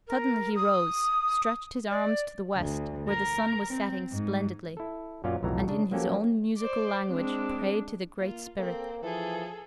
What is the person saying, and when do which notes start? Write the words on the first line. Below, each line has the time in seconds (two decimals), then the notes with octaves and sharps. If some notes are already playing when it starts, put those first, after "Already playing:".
Suddenly he rose, stretched his arms to the west, where the sun was setting splendidly, and in his own musical language prayed to the Great Spirit.
0.08 A#4
0.56 D#6
1.90 D5
2.56 D2
3.09 A#4
3.69 C4
4.12 G#2
4.77 E4 A4
5.24 F#2 A#2 C#4 F4 D5 F5
5.43 B1 F2 A2 E3 F#3 A#5
5.67 C#3 D4
5.91 F3 F#3 A#3 C#4 G4 A4
6.58 C5 D5
7.09 G#3 C4 D4
8.19 A#3 F4
8.58 A#3 C4 A4
9.03 E3 F3 G#4 A4